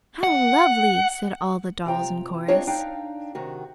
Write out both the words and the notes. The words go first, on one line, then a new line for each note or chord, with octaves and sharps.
"How lovely!" said all the dolls in chorus.
F#5
C3 F4 G5 A#5
C4 D4 D#4 F4 C#5 D#5
D4 D#4 F5 G5
C3 D#3 F#4